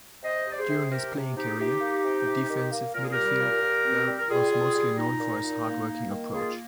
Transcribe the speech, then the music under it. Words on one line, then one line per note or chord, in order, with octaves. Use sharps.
During his playing career, the defensive midfielder was mostly known for his hard-working approach.
C3 C5 D#5
C3 D5
G#4 C5
C3
C3 G4 A#4
C3
C3 D#4 G4
G#4
C3 D#4 G4
A#3
C3
C3
D#3
A#3
A#2 A#4
G#4
G3 G4 A#4
A#2
A#2
C4
G3
A#4
G3 F4 G#4
G3
G3
A#2 D#4
A#2
A#2
A#3
A#3
D#3
A#3 F4 G#4